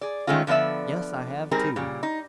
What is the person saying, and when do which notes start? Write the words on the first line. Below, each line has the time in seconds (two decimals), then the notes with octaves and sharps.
Yes, I have, too!
0.01 G#4 D5
0.27 D#3 G#3 A3 C#4 F4
0.47 D3 F3 B3 D5 E5
1.51 G3 C4 D#4 G#4 A#4
1.76 A#2 C#3 G3
2.03 D#4